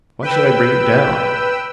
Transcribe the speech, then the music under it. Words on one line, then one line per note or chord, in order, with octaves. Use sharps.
Why should I bring it down?
B4 G5 E6